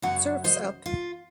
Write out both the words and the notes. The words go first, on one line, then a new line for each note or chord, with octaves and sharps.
Serfs Up!
F#2 C#3 F#3 F#5
C5 D#5
F4